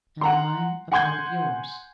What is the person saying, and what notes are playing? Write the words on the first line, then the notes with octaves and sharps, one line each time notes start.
"And mine a part of yours?"
F#5 A#5 C6
F#5 G#5 C6 G6 G#6